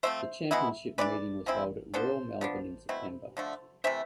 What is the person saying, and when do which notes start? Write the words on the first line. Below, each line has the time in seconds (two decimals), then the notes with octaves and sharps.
The championship meeting was held at Royal Melbourne in September.
0.03 F3 A3 C4 C5 E5
0.51 B2 G#3 B3 E4
0.98 E3 B3 D4 B4 D5
1.46 F3 G#3 C4 E4
1.94 F3 B3 D4 A4 C5
2.41 F3 B3 D4
2.89 B2 A3 C4 E4
3.37 D3 F3 A3
3.84 C3 E3 A3 C5 E5